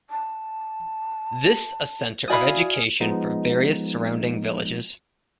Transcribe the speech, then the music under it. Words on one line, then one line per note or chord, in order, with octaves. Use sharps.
This a center of education for various surrounding villages.
A5
E4 F#4 D5 F5 G#5 B5 D#6
F3 G#3 B3 D#4